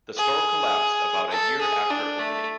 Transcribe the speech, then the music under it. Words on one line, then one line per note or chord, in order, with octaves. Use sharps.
The store collapsed about a year after opening.
G#4
A4
G#4
D4
A3